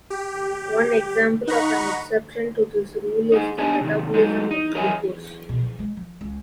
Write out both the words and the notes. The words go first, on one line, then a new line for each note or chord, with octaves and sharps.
One example of an exception to this "rule" is the metabolism of glucose.
G4
D#4 F#5 A#5 B5 C#6
D#4 F#4 G#4
B3 D4 C#5 D#5 G#5 A5
C3 D#3
F#3 G#3 D#4
D#4
A#4 C#5 D#5 E5 G#5
B2
F3
G#3
F3
C#2